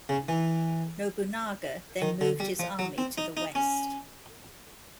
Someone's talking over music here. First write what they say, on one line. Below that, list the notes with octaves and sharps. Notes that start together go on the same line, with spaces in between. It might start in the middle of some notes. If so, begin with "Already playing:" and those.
Nobunaga then moved his army to the west.
C#3
E3
D#3
D3
G3
F3
F#3
C4
D#4
D#4
C#4